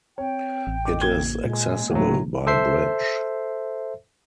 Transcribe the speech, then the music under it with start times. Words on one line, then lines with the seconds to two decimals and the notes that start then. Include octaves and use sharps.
It is accessible by bridge.
0.18 C4 C#5 G5
0.67 A1
0.85 D#5 D6
1.01 A#3 G#6 G7
1.45 A#2 G#3
1.91 A2 F#3 A#3 D#4
2.47 A4 C5 E5 C7